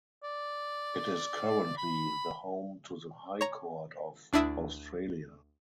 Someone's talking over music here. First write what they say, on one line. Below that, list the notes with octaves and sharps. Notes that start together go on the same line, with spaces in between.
It is currently the home to the High Court of Australia.
D5
B5
C#5 A#5
D2 D4 E4 E5 D#6